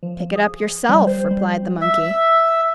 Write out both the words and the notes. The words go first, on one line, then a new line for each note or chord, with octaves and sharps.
"Pick it up yourself," replied the monkey.
F3
G#4
G3
C5
G3
E5